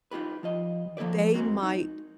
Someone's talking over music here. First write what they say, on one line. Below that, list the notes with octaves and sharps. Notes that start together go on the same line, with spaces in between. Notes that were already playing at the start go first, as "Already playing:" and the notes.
they might
D#4 F4 G4 B4
F3 F4 D#5
F3 A#3 A4 B4 D5
G#3 C4 F#4 A#4
D#4